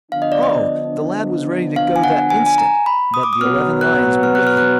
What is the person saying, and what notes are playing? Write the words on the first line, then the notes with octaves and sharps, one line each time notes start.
Oh! the lad was ready to go that instant; but the eleven lions went with him.
D3 F3 B3 D4 F5
D#5
D5
D#5
F5
G#5
F#5
G#5
G#5
A#5
B5
D#6
D6
D#6
B2 F#3 B3 F6
F#6
F6
F#6
F6
F#6